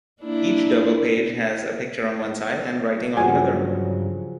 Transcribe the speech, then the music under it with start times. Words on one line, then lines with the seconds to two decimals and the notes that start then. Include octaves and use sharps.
Each double page has a picture on one side, and writing on the other.
0.20 A#3 D4 E4
3.17 G2 C#3 F3 F#3 F#4 G#4 G#5